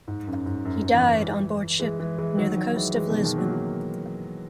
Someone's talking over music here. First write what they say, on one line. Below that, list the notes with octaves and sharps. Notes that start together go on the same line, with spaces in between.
He died on board ship, near the coast of Lisbon.
G#2
F#2
G#2
F#2
C#3 E3
E3 G#3
E3 G#3
E3 G#3
D#3 F#3
D#3 F#3
E3 G#3
E3 G#3
B2 D#3
B2 D#3
F#3 A#3